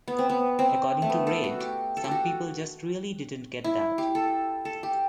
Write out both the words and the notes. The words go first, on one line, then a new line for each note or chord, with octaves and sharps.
According to Reid, Some people just really didn't get that.
B3
C4
B3
C4
A3
B3
A4
F#4
G4
A4
G4
F#4
E4
G4
A4
A4
G4